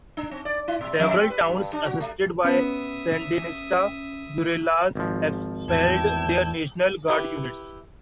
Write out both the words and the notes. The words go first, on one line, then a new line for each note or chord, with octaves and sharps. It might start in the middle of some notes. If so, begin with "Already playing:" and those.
Several towns, assisted by Sandinista guerrillas, expelled their National Guard units.
D4
C4
D5
E4
B2
F2
C4
B4
G2
D4
F#4
A3
B3 C#4 E5 D#6
G#1 F3
E2 A2 G5 A5 E6 G#6
E4 G4 B4 E5